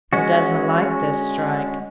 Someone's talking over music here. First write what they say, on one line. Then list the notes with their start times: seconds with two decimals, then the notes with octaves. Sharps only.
Hoo doesn't like this strike.
0.13 G#3 C#4 F#4